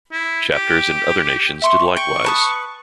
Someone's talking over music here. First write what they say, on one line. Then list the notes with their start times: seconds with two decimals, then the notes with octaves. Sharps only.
Chapters in other nations did likewise.
0.12 E4
0.53 G4
1.62 E5 C6 C#6
1.97 G5 C#6
2.24 B4 A5 D#6